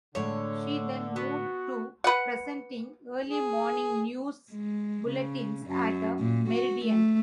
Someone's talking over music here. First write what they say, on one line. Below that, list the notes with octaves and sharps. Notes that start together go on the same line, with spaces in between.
She then moved to presenting early morning news bulletins at Meridian.
A2 D3 G#3 C#5 E5
B3 F#4
B4 F#5
G#4
G#3
C#3
F#2
A#2
F#4
A3